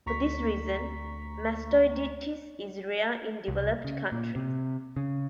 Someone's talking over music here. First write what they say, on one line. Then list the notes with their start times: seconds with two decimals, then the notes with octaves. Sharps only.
For this reason, mastoiditis is rare in developed countries.
0.06 D2 A#5 C#6 B6
3.48 C2
3.84 C#3
4.12 A#2
4.36 C3
4.97 C#3